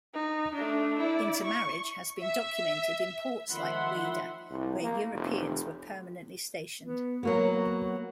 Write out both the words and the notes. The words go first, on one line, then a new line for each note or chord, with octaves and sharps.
Intermarriage has been documented in ports like Ouidah where Europeans were permanently stationed.
D#4
A3 D4
E4 D5
C#6
E5
D#3 F3 E5 F#5 B5 C6
C2
A#3
F1
B3
F#3 A#3 B3 F#4